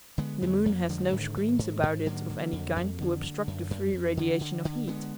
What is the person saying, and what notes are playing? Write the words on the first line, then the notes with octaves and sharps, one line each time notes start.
The moon has no screens about it of any kind to obstruct the free radiation of heat.
D3 G#3 B3
F2 G#3 B3
F2 F#3 A#3
D3 F3 G#3
G#2 D#3
G#2
G#2
G#2
D3 F#3 A#3
D3
F2
F2
D3
D3
F#2
F#2
F2
D3
D3
D3
D3 G#3 B3